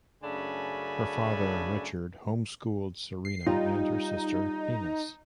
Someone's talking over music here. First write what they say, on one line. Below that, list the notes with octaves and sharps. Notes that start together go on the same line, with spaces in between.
Her father, Richard, home-schooled Serena and her sister Venus.
F#2 C#3 A3 D4 G#5 B5
C7
G3 D#4 F4